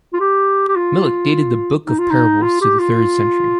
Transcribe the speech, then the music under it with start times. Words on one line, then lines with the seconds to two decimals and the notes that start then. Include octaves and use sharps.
Milik dated the Book of Parables to the third century.
0.13 F4
0.20 G4
0.68 G4
0.76 F4
1.87 D#4
1.99 F4
2.10 D#4
2.42 F4
2.61 G4
2.79 F4